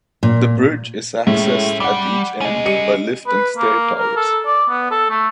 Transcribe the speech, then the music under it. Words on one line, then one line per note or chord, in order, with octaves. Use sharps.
The bridge is accessed at each end by lift and stair towers.
A#2
A2 G#3 C#4 E5
G3 F#5 D6
C#4 D#5
G3 C#7 D#7
B4
A#3
A#4
A4
D5
B3
A4
A3